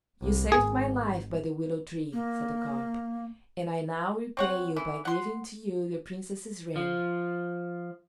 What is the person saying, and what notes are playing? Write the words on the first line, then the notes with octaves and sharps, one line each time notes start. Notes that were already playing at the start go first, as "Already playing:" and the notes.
"You saved my life by the willow-tree," said the carp, "and I now repay you by giving to you the Princess's ring."
C2
G#1 G#4
A#3
C4 C#5 F#5
E3
F#5 C6
F3